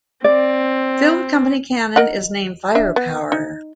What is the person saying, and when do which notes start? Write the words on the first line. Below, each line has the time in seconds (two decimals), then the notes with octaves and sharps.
Film company Cannon is named Firepower.
0.24 C4 D5
1.96 A#4 D#5 F#5
2.75 D4 E5
2.96 B3
3.32 D#4